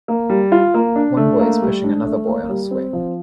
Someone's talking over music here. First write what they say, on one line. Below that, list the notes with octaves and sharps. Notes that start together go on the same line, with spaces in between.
One boy is pushing another boy on a swing.
A#3
G3
F4
A#3
D4
A3
A#3
G3
D4
A3
A#3
G3
C4
F3